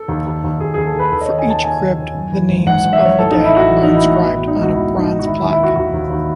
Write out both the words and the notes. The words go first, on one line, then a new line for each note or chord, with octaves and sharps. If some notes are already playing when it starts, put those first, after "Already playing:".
For each crypt the names of the dead are inscribed on a bronze plaque.
Already playing: A4
D#2
D#2
D#2
D#2 G#4
D#2 G#4
A4
D#2 B4
D#2 A4
D#5
C#5
D#3
G#5
D#2 A5
D#3 G#5
D#2
D#3
F#2
E3
G#1
G#1 F#5
G#1
E5
F#2 C#5
A1 A4
D#4
A1
E4
A1 F#4
E3
D#4
A1
E4
A2
B2 E4
B2
D#4
C#2
F#4
B2 E4
C#2
D#4
C#2
F#4
D#3 E4
E4
D#2
E4
D#3 F#4
D#2 F#4
D#2
D#2